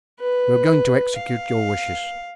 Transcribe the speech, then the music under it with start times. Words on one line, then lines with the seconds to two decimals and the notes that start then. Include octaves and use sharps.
"We are going to execute your wishes."
0.20 B4
1.16 F5